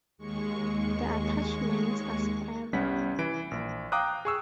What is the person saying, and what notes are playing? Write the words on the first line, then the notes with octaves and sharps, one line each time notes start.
The attachments are spiral.
D#2 G#3 C#6
C2 G3 B3 C#4 F#5 B6
E3 D7
A#1
F5 G5 A#5 D6 D#6 F#6
G#4 C#6 E6